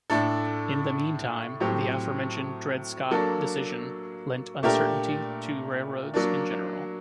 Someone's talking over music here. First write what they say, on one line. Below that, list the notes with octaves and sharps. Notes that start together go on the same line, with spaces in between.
In the meantime, the aforementioned Dred Scott decision lent uncertainty to railroads in general.
A2 A3 D4 A4
A2 F#3 C4 G4
F#3 A#3 D4 A4
A#2 A3 D4 G4 A#4
F#3 A#3 D4